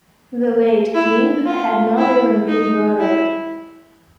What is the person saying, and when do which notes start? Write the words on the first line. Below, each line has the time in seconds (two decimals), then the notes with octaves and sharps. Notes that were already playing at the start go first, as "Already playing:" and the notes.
The late king had not even been buried.
0.95 E4
1.46 F4
1.98 E4
2.48 D#4
3.00 E4